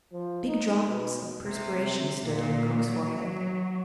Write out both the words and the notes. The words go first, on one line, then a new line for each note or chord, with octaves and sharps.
Big drops of perspiration stood on Lecoq's forehead.
F3
D#4
B2
C3
A#2
F#3